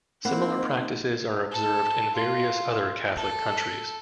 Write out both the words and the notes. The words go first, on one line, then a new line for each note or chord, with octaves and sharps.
Similar practices are observed in various other Catholic countries.
A#3 C4 D#4 F#5 B5
A4
F4
A4